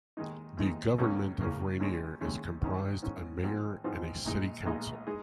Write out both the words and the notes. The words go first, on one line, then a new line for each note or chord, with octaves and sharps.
The government of Rainier is comprised a mayor and a city council.
D#2 D#3 G#3 D#4
D#2 D#3 G#3 D#4
C#2 C#3 A#3 C#4
C#2 C#3 A#3 C#4
D#2 D#3 G#3 C#4
D#2 D#3 G#3 C#4
G#2 D#3 C#4
G#2 D#3 C#4
G#1 G#2 F3 G#3 D#4
G#1 G#2 F3 G#3 D#4
A#1 A#2 G#3 D#4
A#1 A#2 G#3 D#4
G#3 D#4 G#4